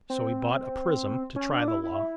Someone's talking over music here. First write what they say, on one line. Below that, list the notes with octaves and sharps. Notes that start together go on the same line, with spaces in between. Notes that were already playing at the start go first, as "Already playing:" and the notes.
So he bought a prism to try the law.
C4
C#4
D4
E4
E4